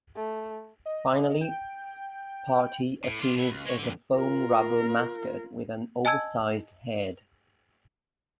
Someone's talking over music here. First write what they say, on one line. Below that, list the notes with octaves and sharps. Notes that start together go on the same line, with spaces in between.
Finally, Sparty appears as a foam rubber mascot with an oversized head.
A3
D#5
G5
A2
D4 F4
B2 E4
C#2
G#3 C#5
F2 D3
F4 A#4
D#5 G#5 A5 E6 G#6